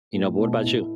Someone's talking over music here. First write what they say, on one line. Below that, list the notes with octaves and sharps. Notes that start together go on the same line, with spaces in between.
you know? But what about you?
A2
B2
E4